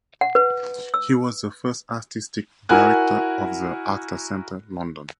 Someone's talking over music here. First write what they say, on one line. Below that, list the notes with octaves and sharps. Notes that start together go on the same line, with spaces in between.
He was the first Artistic Director of The Actors Centre, London.
F#5
B4
E6
E4 F#4 A#4 G#5 F#6